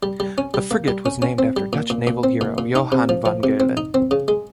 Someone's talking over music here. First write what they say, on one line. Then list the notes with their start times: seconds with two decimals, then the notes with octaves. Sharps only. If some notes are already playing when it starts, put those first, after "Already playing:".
The frigate was named after Dutch naval hero Johan van Galen.
0.03 G3
0.20 G3
0.38 C#4
0.54 G3
0.71 A#3
0.88 G3
1.06 C#4
1.22 C#4
1.39 C4
1.57 G3
1.73 A#2
1.90 A#2
2.07 A#2
2.23 C4
2.41 A#2
2.58 A#2
2.75 D#4
2.92 C3
3.09 F3
3.26 F3
3.43 C3
3.60 C4
3.77 D#4
3.94 C4
4.11 C#3
4.28 G#3